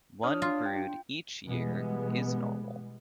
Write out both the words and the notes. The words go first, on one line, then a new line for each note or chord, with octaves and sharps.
One brood each year is normal.
D4 C#5 D#6 F6
F4
G5
B2 E3 G3 G#3 B3